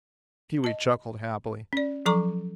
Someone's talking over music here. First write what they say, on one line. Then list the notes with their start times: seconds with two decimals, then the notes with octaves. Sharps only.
Pewee chuckled happily.
0.64 D#5 A5
1.73 C#4 D5
2.06 F3 F#3 A4 A#5 C#6 D6